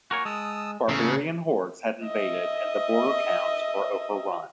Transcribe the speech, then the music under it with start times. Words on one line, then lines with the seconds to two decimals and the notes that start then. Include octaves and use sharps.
Barbarian hordes had invaded and the border towns were overrun.
0.11 A#3 F#4 A#4 C#5 G#5
0.25 G#3 A5 D#6 E6
0.89 E2 A2 C#3 A4 A5 A#5
2.05 D#5 E5